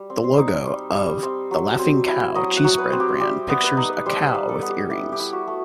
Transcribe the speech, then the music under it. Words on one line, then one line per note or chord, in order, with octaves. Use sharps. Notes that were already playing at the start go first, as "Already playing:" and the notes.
The logo of "The Laughing Cow" cheese spread brand pictures a cow with earrings.
Already playing: G3
C4
C5
D#4
G3
G3
C4
F#3
C4
E4
F#3 D#5
F#5
F#3
B4
C4
G4
G3 G4
B3
B4
D#4
G3 C5
B4
G3
A4
B3
G4
E4 G4
G4
E4
F#4
A3